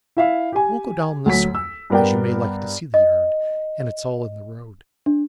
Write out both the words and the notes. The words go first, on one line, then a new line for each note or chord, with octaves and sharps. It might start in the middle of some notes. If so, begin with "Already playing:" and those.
We'll go down this way, as you may like to see the yard, and it's all in the road.
E4 E5 F5
G4 G#5
D2 F#3 B6
E6
G2 B3 A#4 D5 G5
D#5
D4